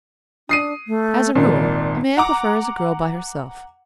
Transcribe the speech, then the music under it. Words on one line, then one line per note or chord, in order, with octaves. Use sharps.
As a rule, a man prefers a girl by herself.
D4 D#6 C7 D#7
A3
G#1 A#2 D5
F#5 A#5 D6